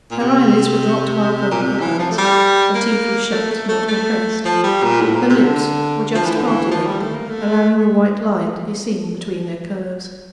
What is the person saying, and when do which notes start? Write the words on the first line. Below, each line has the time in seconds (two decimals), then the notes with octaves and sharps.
Her eyelids were dropped half over her eyes; her teeth were shut, not compressed; her lips were just parted over them, allowing the white line to be seen between their curve.
0.11 A#2
0.20 C3
1.51 A#2
1.62 C3
1.80 E3
1.99 F3
2.11 A3
2.18 G3
2.75 A#3
3.32 A3
3.51 A3
3.69 A3
3.88 A3
4.45 F3
4.64 G3
4.83 A#2
5.01 A2
5.15 A#2
5.30 C3
5.44 D3
6.15 F3
6.26 E3
6.36 D3
6.47 E3
6.71 F3
6.86 G3
7.00 A3
7.14 A#3
7.28 A3